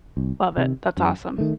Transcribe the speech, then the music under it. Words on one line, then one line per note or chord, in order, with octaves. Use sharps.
Love it. That's awesome.
C2
C3 D#3
F#2
D#3 A3